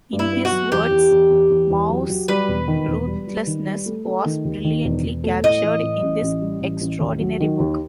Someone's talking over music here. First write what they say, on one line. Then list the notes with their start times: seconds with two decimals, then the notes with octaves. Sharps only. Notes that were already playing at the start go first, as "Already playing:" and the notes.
In his words Mao's "ruthlessness" was "brilliantly captured in this extraordinary book".
0.13 G2
0.19 E4
0.32 B3
0.45 F#4
0.52 F#3
0.72 E2 G4
0.91 E2
1.11 E2
1.30 E2
1.50 E2
1.70 E2
1.89 F#3
2.09 F#3
2.28 G3 B4
2.48 E1
2.68 D#3
2.88 E1
3.07 G3
3.27 G3
3.47 D#3
3.66 G3
3.86 A3
4.05 A3
4.26 D#3
4.45 D#2
4.65 D#3
4.84 E1
5.04 E1
5.24 A3
5.44 A2 D#5
5.63 E3
5.83 A2
6.02 A1
6.22 A1
6.41 G3
6.61 A1
6.81 A1
7.00 D#2
7.20 F#3
7.40 D#3
7.60 D#2